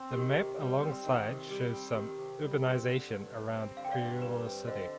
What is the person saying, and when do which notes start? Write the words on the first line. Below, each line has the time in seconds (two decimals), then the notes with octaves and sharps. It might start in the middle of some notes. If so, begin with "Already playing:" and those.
The map alongside shows some urbanization around Purulia city.
Already playing: C4
0.13 D#3 G4
0.36 C3
0.59 G3
0.81 C4
1.04 D#3
1.27 C3
1.50 G3
1.72 C4
1.95 D#3 G4
2.17 C3
2.41 G3
2.63 C4
2.86 D3
3.08 G2
3.31 G3
3.54 C4
3.77 D3 F5
3.85 G5
3.92 D5 F5
3.99 G2
4.22 G3 B4
4.45 C4
4.67 D3 C5 D#5